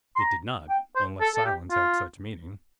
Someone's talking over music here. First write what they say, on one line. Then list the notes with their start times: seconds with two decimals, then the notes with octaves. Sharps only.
It did not,--unless silence had such meaning.
0.16 C6
0.19 A#5
0.70 G5
0.96 C5
1.21 A4
1.35 A4
1.46 G4
1.71 F4